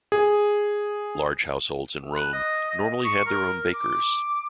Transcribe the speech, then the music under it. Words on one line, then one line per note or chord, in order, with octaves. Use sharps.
Large households in Rome normally had their own bakers.
G#4
B4
D#5
D#5
C#6
A#4
D6